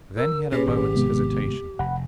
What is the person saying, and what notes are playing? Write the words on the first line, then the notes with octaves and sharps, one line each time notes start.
Then he had a moment's hesitation.
A#4 E6
B2 C#4 G4 G#4 B4
G#1
C3 G#3 B3
F1 F#5 B5